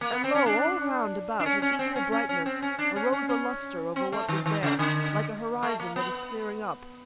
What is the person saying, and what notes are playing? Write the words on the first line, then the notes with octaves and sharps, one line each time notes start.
And lo! all round about of equal brightness Arose a lustre over what was there, Like an horizon that is clearing up.
A#3
B3
C4
C#4
D4
D4
C#4
C#4
C4
C#4
C#4
C#4
C4
C#4
D4
C#4
C#4
C#4
C4
A3
D#3
D#3
C#3
D3
A3
A#3
B3